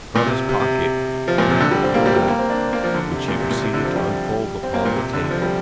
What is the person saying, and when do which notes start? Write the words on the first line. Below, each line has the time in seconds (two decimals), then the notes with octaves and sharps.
From his pocket Grant drew a map, which he proceeded to unfold upon the table.
0.16 A#2
0.26 C3
0.49 C3
0.60 C3
1.28 F3
1.38 A#2
1.50 C3
1.60 D3
1.71 G3
1.83 C4
1.94 A#3
2.06 G3
2.17 G3
2.28 A#3
2.39 C4
2.50 D4
2.73 A#3
2.84 F3
2.95 D3
3.12 C3
3.28 A#2
3.40 C3
3.51 A#2
3.62 C3
3.74 D3
3.85 F3
3.96 G3
4.63 C4
4.74 A#3
4.85 A#2
4.96 C3
5.13 D3
5.24 D3
5.31 F3
5.42 G3